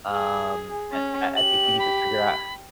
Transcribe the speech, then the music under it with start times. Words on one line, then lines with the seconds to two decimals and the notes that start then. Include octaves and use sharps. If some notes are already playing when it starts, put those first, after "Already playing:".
um, and I I think we need to figure out
0.12 G#4
0.92 C#4
1.37 G4 F#7
1.79 B5